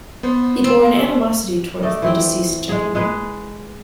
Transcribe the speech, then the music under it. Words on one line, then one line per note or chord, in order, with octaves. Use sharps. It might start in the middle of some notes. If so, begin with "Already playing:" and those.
He bore an animosity towards the deceased gentleman.
B3 C5
C4
A3 D5 D#5
E3 C4 G5
G#3 G#4
G#3 G#4 B4